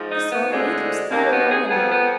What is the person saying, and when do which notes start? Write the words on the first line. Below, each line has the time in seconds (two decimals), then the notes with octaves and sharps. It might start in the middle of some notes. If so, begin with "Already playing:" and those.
The thought made him steal a longer look.
Already playing: G#2 F3
0.10 D#4
0.31 B3
0.50 D2 D3 F3 G#3
1.10 D#2 D#3 F#3 A#3
1.31 B3
1.51 G#4
1.70 F2 F3 B3
1.90 B3